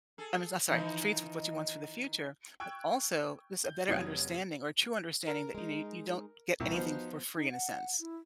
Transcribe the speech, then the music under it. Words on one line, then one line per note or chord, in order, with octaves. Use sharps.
I mean, s sorry, treats with what she wants for the future, but also just a better understanding or true understanding that, you know, you don't get anything for free, in a sense.
G#4 A4
D#3 E3 D#4
G5 C#6 E6 F#6 G#6 D7
G6
F1 F#3 B3 D#6 G#6
A#4
G#3 D#4
C2 A#2
F3 B3 D#4 E4 F#4 C5
D#4
F#5
E4